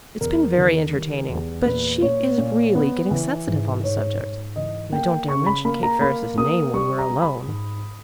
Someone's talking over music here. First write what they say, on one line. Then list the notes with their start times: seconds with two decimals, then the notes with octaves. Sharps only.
"It's been very entertaining, but she is really getting sensitive on the subject, and I don't dare mention Kate Ferris's name when we're alone."
0.21 E2 A#4
0.57 D#3
0.93 G3
1.29 E2
1.66 A#2 B4
2.02 A#2 C#5
2.38 A#2
2.75 B3
3.11 E3
3.47 G#2
3.84 G#2 C#5
4.20 G#2
4.56 E3 D#5
4.92 A#3 G5
5.29 C#3 C#6
5.46 B5
5.65 A#3 B5
5.83 A#5
6.01 A#3 B5
6.38 A#3 D#6
6.74 G3 C#6
6.98 A#5
7.10 G3
7.22 B5
7.47 G#2